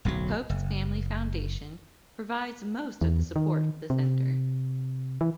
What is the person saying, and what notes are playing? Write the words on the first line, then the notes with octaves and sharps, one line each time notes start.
Pope's family foundation provides most of the support for the center.
D1 B1 C3 F#3
F#1
E2
D#3
C3
E3